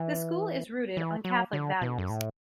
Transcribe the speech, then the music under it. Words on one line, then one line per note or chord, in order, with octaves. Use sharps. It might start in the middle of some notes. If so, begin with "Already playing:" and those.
The school is rooted on Catholic values.
Already playing: E3
E3
F#3
D3
B2
F#2
A2